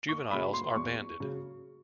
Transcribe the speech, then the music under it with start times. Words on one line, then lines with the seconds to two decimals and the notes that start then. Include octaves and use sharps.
Juveniles are banded.
0.09 C#6
0.31 C#3 F#3 B5
0.53 C6
0.76 E2 C#6
1.20 C#3 F#3